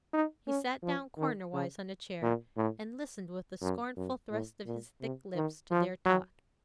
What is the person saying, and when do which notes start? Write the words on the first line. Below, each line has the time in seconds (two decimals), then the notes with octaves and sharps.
He sat down cornerwise on a chair, and listened, with a scornful thrust of his thick lips, to their talk.
0.13 D#4
0.48 C#4
0.83 F3
1.18 D#3
1.53 C#3
2.23 A#2
2.57 A2
3.62 F#2
3.97 F#2
4.31 A2
4.66 A#2
5.01 C3
5.35 D#3
5.71 F3
6.06 F#3